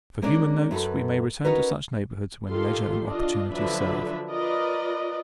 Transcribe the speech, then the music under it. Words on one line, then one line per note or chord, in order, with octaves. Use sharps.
For human notes we may return to such neighbourhoods when leisure and opportunity serve.
G#3 A#3 C#4 D4 D5
F#2 F#4 A4 B4
C#4 D#4 F#4 A#4 B4
D#3 F4 G4 A4 C6
D4 F4 D#5
D3 F3 F#3 D4 B4 E5
F4 A#4 B4 D5 D#5